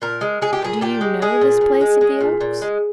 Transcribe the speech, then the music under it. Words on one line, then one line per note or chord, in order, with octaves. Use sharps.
Do you know this place of the oaks?
A#2 A#4
G#3
G#3 G#4
G4
A#2 G#4
A#2 G4
G#3
G#3 G#4
A#2
A#2
G#3
G#3
A#2
A#2
G#3